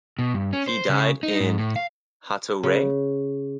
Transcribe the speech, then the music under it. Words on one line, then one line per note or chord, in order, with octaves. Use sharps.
He died in Hato Rey.
B2
G2
C#4
C5
C#3
D#4
G#2
A2
F5
C#3